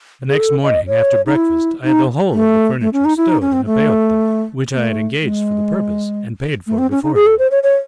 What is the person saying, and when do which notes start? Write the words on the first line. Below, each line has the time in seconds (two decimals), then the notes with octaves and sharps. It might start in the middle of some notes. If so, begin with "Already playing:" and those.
The next morning, after breakfast, I had the whole of the furniture stowed in a peotta, which I had engaged for the purpose and paid for beforehand.
0.29 G#4
0.39 A4
0.63 D#5
0.88 C#5
1.26 D#4
1.36 E4
1.84 D#4
2.33 A3
2.81 A3
2.93 C#4
3.05 D#4
3.17 E4
3.29 D#4
3.41 C#4
3.53 C4
3.66 A3
4.73 C4
4.77 A3
5.22 G#3
6.67 A3
6.78 C4
6.91 C#4
7.03 D#4
7.15 G#4
7.26 A4
7.39 C5
7.51 C#5
7.63 C#5